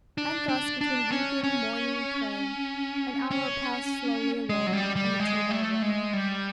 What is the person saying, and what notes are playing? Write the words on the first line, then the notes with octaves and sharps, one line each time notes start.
And thus between weeping, mourning, and praying, an hour passed slowly away, and the tea-bell rang.
D4
D4
D4
C#4
C#4
C#4
G#3
F#3
G3
G3
G#3
A3
G#3
G3